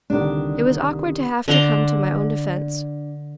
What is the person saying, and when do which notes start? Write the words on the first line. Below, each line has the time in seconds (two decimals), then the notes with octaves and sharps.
It was awkward to have to come to my own defense.
0.10 C2 D3 D#3 D4
1.48 D3 D4 A#5 C6